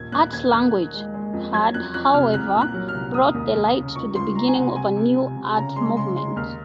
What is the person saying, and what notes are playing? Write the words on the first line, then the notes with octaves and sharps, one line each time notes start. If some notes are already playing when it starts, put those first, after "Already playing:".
"Art-Language" had, however, brought to light the beginning of a new art movement.
Already playing: A#1 D#2 G#6
D#2 F#6
D#2 G#6
D#2 F#6
D#3
G#3
G#3
F2
F#3 G#6
F2 F#6
F2 F#6
C3 F6
C2 F#6
A#2
F#6
F#3
F6
C2
D#2 D#6
D#2
D#2
C#3
C#2 C#6
C#2 C6
C#2 A#5
G#5
C3 F#5
C3 G#5
C3
C3
C3
C#3 A#5
G#3 C6
C#3 C6
G#3 C6
D#2 F6